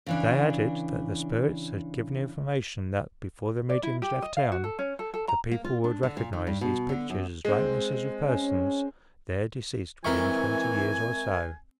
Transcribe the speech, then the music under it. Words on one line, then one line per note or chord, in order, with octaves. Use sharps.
They added, that the spirits had given information that, before the mediums left town, the people would recognize these pictures as likenesses of persons there deceased within twenty years or so.
C#3 E3 D4
D5
E4
G4
D#5
F5
F#4
A4
C#4
A4
A4
A#5
A#3
F4
D4
D3
A#2
D#3
G2
B2
D3
F#2
G#3 C4
C#4
E3 G#3 C4 A#4 E5 G#5 C#6